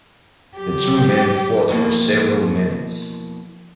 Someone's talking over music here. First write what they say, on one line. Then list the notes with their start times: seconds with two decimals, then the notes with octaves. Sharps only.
The two men fought for several minutes.
0.57 F#3 G4
1.68 F2 B2 E3 G#3 A#3